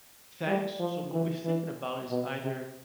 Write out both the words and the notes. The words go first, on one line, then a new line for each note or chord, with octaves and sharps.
"Thanks." So, what we're thinking about is either
G3
F3
E3
E3
B2
C3